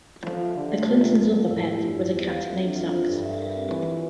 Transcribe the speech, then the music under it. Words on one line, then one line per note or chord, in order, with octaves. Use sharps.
The Clintons' other pet was a cat named Socks.
F3 A4
E5
D3 G4
A3
C3 F4
A3
F2 A#4
D5
A2 E4
G4
G2 F4
C5
E2 D5
F5
F2 E5
D4
F4
C5
G2 A4
E5
A#4
C4
E3 E5
F4